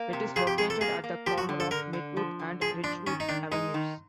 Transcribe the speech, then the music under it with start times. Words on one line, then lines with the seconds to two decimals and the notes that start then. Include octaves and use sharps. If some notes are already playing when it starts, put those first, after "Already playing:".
It is located at the corner of Midwood and Ridgewood Avenues.
Already playing: A#3
0.13 C3
0.36 F2 G#4
0.47 G4
0.58 C3 G#4
0.70 A4
0.81 A#3 G#4
1.04 A#3
1.27 F3 G4
1.38 F#4
1.49 D3
1.60 A4
1.71 D3 A#4
1.93 D3
2.17 F3
2.39 D3
2.61 F3 G#4
2.83 F3 D4
3.07 D#3 C#4
3.20 D#4
3.29 D#3 D4
3.51 G#3 D#4
3.74 D#3